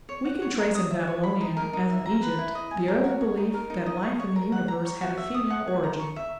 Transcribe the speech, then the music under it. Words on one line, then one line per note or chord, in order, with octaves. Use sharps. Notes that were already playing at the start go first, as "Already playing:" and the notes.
We can trace in Babylonia, as in Egypt, the early belief that life in the Universe had a female origin.
C#5
F#5
C#5
A#5
D#6
E5
C#5
B5
D#4
A#4
D#4
E5
A#5
B4
E4
D#5
G#5
A#4
F#4
C#5
D#4
A#4
D#4
D#5
C#6
C#5
A#4
F#5
A#5
C#5
F#4
E5
D#6
F#5
C#5
A#5
C#6
E5